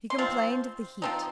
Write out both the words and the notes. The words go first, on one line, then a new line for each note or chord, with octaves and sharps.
He complained of the heat.
C6
F3 C4
F3 C4 D#4